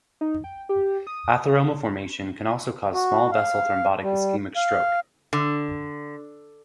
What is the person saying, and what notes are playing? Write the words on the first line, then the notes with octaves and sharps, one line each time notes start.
Atheroma formation can also cause small vessel thrombotic ischemic stroke.
D#4
G5
G4
D#6
F#4
F5
G3
F5
D3